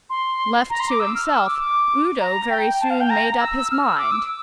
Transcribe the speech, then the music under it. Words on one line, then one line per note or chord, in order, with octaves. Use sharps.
Left to himself Udo very soon made up his mind.
C6
A#5
C6
D6
E6
F6
E6
D6
D6
A#5
G5
A5
F5
G5
A#5
E6
E6
F6
E6
D6
E6